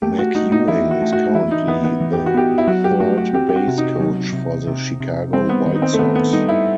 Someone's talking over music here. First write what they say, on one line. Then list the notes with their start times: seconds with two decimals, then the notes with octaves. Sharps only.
McEwing is currently the third base coach for the Chicago White Sox.
0.02 A3 G4
0.19 F#4
0.35 A3 D#4
0.52 D#4
0.68 E3 E4
0.91 F#4
1.02 A3
1.13 F#4
1.35 E3 E4
1.51 D#4
1.68 E3 B3
1.84 B3
2.01 E3
2.13 G4
2.26 F#4
2.34 B3 G4
2.58 E4
2.67 F#3 F#4
2.84 G4
3.00 A3 F#4
3.18 F#4
3.33 C4 G4
3.49 G4
3.56 F#4
3.68 C3
3.78 D#4
4.00 F#3
4.33 C3
4.67 C3
5.00 C3
5.33 G3 C4
5.49 B3
5.66 D#3
5.75 D#4
5.82 C4
5.93 A3
5.99 D#3 B3
6.15 B3
6.32 G3 D#4
6.49 E4